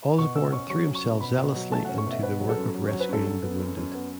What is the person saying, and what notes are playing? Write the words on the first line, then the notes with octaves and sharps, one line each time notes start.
Osborne threw himself zealously into the work of rescuing the wounded.
B2 C#6
C#4 E6
C#4 C#6
F#3 C#6
C#4
C#6
B2
B2 B5
B2
F#3
A3 A5
F#5
C#4
C#6
B2 E5
B3 B4
F#3
A4
F#2
F#3
C#5
F#3
B4
F#2 A4
F#2
B3
F#2
F#2
B3